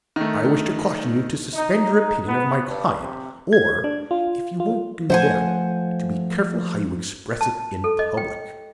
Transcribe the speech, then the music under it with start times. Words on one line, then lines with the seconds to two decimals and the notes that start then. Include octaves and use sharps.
I wish to caution you to suspend your opinion of my client, or, if you won't do that, to be careful how you express it in public.
0.16 D#3 A3
1.54 D#4
1.93 D#4
2.27 B3
2.66 G2
3.00 C3
3.53 G#6
3.84 D4
4.11 F4
4.60 F4
5.10 F3 A3 C5 F#5 G#5
7.41 A5
7.84 A4
7.99 D#5
8.17 G5